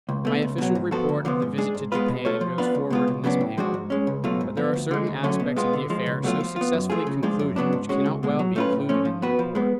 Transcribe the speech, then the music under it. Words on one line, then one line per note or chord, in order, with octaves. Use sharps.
My official report of the visit to Japan goes forward in this mail, but there are certain aspects of the affair so successfully concluded which cannot well be included in the report.
C#2
B2 A3
C#2
B2 F#3
G#2
F3 B3 F#4 A4
D2
D3 F3 B3
G#2
G#3 D4 G#4
G#2
G#3 B3 F4 B4
B2
A3 F4 A4 C#5
F3
B3 D4 F4 B4
C#2
B2 G#3 B3 F4
C#2
C#3 F#3 B3 D4
A2
F3 G#3 D4 F#4
G#2
G#3 C#4
C#2
B2 F#3 A3 F4
G#2
F3 B3
D2
D3 G#3
D2
D3 F#3 A3 C#4
B2
G#3 B3 F4
D3
F3 G#3
C#2
B2 F#3 A3 F4
F3
B3 F4
F#2
F3 A3 F4 G#4
C#3
F3 G#3 D4 F4
F#2
C#3 F#3 B3 D4
G#2
G#3 C#4 F#4
C#2
B2 G#3
F#3
A3 C#4 F4 B4
A2
F3 A3 C#4
F3
B3 F#4 B4
F3
G#3 B3